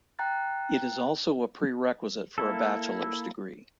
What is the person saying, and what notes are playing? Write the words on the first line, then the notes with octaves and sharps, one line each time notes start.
It is also a prerequisite for a bachelor's degree.
G5 A#5 F#6 A6
A#3 E4 A4